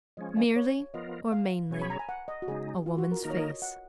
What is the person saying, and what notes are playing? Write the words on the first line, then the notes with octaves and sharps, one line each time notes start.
Merely, or mainly, a woman's face.
F3 G#3 C#4 D#5
F5
C#5
F3 B3 F4 A#4 D#5
F5
B2 F#3 C#4 G#4 C#5
B5
A#5
G#5
F#5
D#5
F#4
C#3 G#3 D#4 G#4
F4
F#4
A#4
D#3 A#3 D#4 A#4
C#5
D#5
F#5